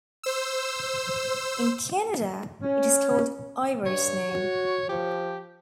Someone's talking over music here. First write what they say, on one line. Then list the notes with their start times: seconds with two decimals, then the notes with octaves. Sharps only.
In Canada, it is called Ivory Snow.
0.23 C5 E6
2.62 C#4
3.86 G2 C#5
4.30 F#4
4.89 F3 G4